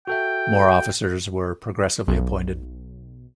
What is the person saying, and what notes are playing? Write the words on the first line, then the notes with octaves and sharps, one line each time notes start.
More officers were progressively appointed.
F#4 A4 E5 G5
B1